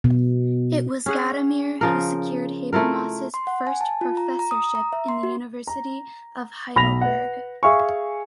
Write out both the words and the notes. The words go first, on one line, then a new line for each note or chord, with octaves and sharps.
It was Gadamer who secured Habermas's first professorship in the University of Heidelberg.
B2
C#4 G#4 F#5
C#3 F3 A#4
A3 E4 F4 A#4
C6
F#5
G#5
A5
F4
A#5
A#5
D#6
A#5
E5
C6
F#4
A#5
B1 B5 A#6 F7
B4 F#5
G#4 E5 F5 G#5 C#6